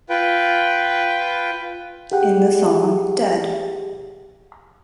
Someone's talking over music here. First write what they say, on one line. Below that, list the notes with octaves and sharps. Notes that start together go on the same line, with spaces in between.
In the song ""Dead!
F4 B4 G5
G4 G#4 F#5 G5